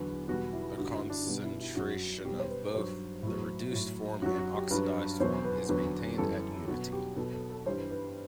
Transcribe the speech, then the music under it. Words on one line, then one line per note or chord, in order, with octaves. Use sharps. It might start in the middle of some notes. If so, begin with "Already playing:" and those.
The concentration of both the reduced form and oxidised form is maintained at unity.
Already playing: E2 D3 F#3 B4
E2 B2 G3 F#4
E4
G2 D3 G3 F#4
E4
D4
B2 G3 F#4
E4
E4
F#2 F#3 F#4
B2 G3 G4
C5
B4
G2 F#3 C5
A2 F#3
A2 F#3
F#2 F#3 F#4
F#4
G4
G2 F#3 B4
E2 B2 F#3 C5
B4
E2 D3 F#3 B4
F#2 E3 G3 A4
B2 F#3 F#4
G4
B2 F#3 A4
A4
A4
G2 E3 G3 C5
B4